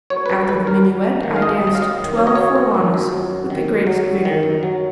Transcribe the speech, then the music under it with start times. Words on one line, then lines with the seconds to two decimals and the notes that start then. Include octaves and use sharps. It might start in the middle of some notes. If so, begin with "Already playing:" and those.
After the minuet I danced twelve forlanas with the greatest vigour.
0.10 F#3 C#5
0.26 B4
0.29 F#2 C#5
0.48 D#3 B4
0.67 F#2 A#4
0.87 F#3
1.05 F#2
1.23 D#3
1.36 F5
1.42 F#2 D#5
1.61 F#3
1.67 D#5
1.75 F5
1.80 F#2 D#5
1.99 D#3
2.17 F#2 C#5
2.27 D#5
2.35 F#3 C#5
2.56 F#2
2.74 D#3
2.94 F#2
3.13 F#3
3.31 F#2
3.50 D#3
3.68 F#2
3.87 F#3
4.06 F#2
4.25 D#3
4.43 F#2
4.63 F#3